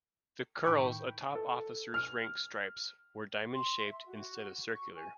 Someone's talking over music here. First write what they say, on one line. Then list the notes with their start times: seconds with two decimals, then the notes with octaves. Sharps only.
The "curls" atop officers' rank stripes were diamond-shaped instead of circular.
0.64 A2 D#3 G5 B5 C#6
1.35 A4
1.94 F6
3.53 C6
3.85 E5
4.07 F#4
4.72 C#6
4.98 G#5